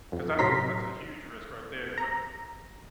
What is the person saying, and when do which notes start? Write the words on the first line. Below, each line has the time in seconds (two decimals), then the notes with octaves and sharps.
'cause that's a that's a huge risk right there, but
0.12 F2
0.39 A2 C3 F#3 A#5 C6 B6
1.98 A#5